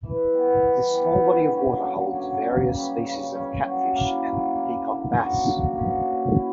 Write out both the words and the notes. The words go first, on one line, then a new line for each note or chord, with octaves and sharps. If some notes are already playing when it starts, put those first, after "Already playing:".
This small body of water holds various species of catfish, and peacock bass.
E3
G3 B3
E3
G3 B3
D3
F#3 A#3 C#4
D3
F#3 A#3 C#4
C#3
G3 C#4
C#3
G3 C#4
F#3
A#3 E4
F#3
A#3 E4
D3
A#3 C#4 F#4
D3
A#3 C#4 F#4
A#2
E4